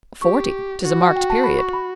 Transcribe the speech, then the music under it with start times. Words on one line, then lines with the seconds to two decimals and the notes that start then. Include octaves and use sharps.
Forty; 'tis a marked period.
0.22 G4 C#6
0.82 F#4
1.02 F#5
1.16 G5
1.30 A5
1.44 B5
1.59 C#6
1.73 B5